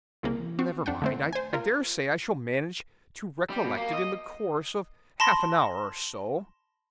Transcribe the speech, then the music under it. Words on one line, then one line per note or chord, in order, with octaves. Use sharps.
Never mind; I dare say I shall manage to recollect it, in the course of half an hour or so.'
C2 C#3 A#3
C4 F#4
F2 D4 F#5 G5
D3 A3 C4
C5 G#5
F4 A#4
G3
B2
A#3
D#5
A5 B5 C6 A#6